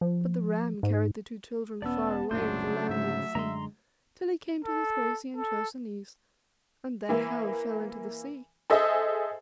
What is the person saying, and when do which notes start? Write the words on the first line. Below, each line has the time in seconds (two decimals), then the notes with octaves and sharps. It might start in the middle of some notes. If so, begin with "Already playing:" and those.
But the ram carried the two children far away over land and sea, till he came to the Thracian Chersonese, and there Helle fell into the sea.
0.01 F3
0.83 G#2
1.82 E1 B3 C#4 D5 A5 E6
2.31 F#1 C2 A#2 C#3 F#3 A3 D4 C5
2.89 G#2 D3 E5
3.35 F#2 D3 G#3 A#5 C6
4.64 A4
5.37 A4
7.09 E3 A#3
8.70 G#4 A4 C5 D#5 E5